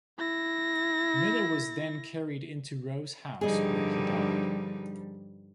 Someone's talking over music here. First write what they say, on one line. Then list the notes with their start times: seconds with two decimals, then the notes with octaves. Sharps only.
Miller was then carried into Roe's house, where he died.
0.18 E4 A#6
3.41 G2 D3 F3 G3 D#4 G#4 D#5